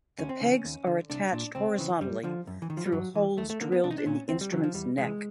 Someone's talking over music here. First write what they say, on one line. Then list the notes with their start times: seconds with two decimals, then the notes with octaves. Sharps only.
The pegs are attached horizontally through holes drilled in the instrument's neck.
0.18 D2 C#4
0.29 C4
0.40 C#3 E3 C#4
0.65 D#2
0.87 D3
1.10 C2 D4
1.32 A#2 D4
1.55 C#2 C4
1.78 C#3 E3
2.01 F#2 G3
2.24 D3 F3
2.47 F#2
2.62 E3
2.70 D#3
2.77 F3
2.86 G3
2.92 G2 F#3
3.15 E3
3.38 D#2 A3
3.50 A3
3.61 D3 A#3
3.72 B3
3.84 C2 D4
3.91 D#4
3.98 D4
4.06 A#2 C#4
4.29 D2 C4
4.41 G3
4.52 C#3 E3 F#3
4.64 F3
4.74 E2 G3
4.97 C3 E3 G#3